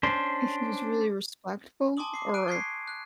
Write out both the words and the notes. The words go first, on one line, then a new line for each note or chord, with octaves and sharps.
He was really respectful or
C#4 D4 C5
G#5 A5 C6 D6 D#6 F#7
D6 C7
F#6 D7 D#7
C#6 G#6 B6 C7
F#6